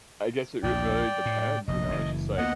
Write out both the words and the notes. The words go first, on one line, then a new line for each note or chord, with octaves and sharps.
I guess it r really depends, you know? It's just like,
A#1 D#2 D5 G5
A2
F1 A#1 D#5
F#1 F#2 E3
D2 A#3 B3 D#5 F#5